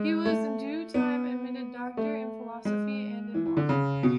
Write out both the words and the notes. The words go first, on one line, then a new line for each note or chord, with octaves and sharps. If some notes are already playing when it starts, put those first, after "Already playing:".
He was in due time admitted doctor in philosophy and in law.
Already playing: G#3
A3
B3
A3
G#3
E3
E3
D3
C#3
B2